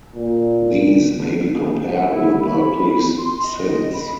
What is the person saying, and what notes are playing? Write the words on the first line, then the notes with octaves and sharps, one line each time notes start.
These may be compared with Berkeley's "Sins".
A#2
F#5
E4
B5
C6
D#5
B5